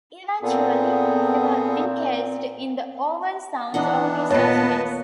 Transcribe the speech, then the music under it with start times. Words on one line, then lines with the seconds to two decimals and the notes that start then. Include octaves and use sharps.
Eventually, they were encased in the Owen Sound Officers' Mess.
0.42 A#2 B3 C4 G#4 A4
3.74 D#3 E3 B3 D4 D#4 F#5
4.30 D#2 A#2 B3 B4 C#5 D#5 A5